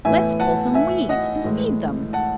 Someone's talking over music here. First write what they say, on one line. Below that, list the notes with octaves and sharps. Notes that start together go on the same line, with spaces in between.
"Let's pull some weeds and feed them."
A2 E3 B3 E5 G#5
F#5 A5
E5 G#5
D#5 F#5
A2 E3 G#3
F#5 A5